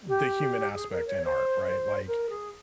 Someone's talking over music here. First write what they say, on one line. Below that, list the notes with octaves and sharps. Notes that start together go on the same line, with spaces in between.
the human aspect in art, right? Like,
G4
G#4
A#4
C#5
C5
A#4
G#4